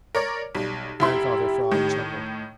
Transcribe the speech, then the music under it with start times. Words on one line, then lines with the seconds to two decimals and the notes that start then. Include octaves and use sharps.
Grandfather Frog chuckled.
0.15 A#4 C#5 D5
0.55 B1 G3
1.00 F1 E4 G4 C6
1.71 A2 D#3